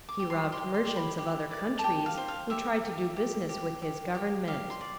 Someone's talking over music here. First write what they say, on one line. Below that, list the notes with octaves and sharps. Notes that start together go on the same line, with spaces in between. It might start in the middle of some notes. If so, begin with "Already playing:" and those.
He robbed merchants of other countries who tried to do business with his government.
D6
G4
C6
G4 C6
C6
G4
B5
G4
D5
A5
G4 G5
F5
C5
F5
G4 E5
G4
G4
G4
G4
G4
G4 F5
C6
D5